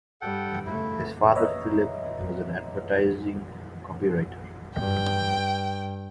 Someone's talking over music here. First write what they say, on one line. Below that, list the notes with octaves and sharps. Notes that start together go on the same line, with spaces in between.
His father, Philip, was an advertising copywriter.
G2 G3 A4 F#5 G5
C#3 A3 E4
B4 C#5 D#5 E5 A#5
G2 G5